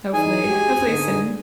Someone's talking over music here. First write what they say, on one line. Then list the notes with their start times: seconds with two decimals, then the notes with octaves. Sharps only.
hopefully, hopefully soon.
0.13 E3 D#4 G#4 G#5
0.47 G#3 F#4 G4
0.86 G#2 D3 D#4